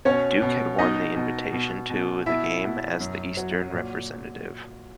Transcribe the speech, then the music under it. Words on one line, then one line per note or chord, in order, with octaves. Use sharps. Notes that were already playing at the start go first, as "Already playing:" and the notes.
Duke had won the invitation to the game as the eastern representative.
B2 C#4 C#5
B2
B2 D#4 D#5
B2
B2
B2
B2 E4 E5
B2
F#2
F#3
A#2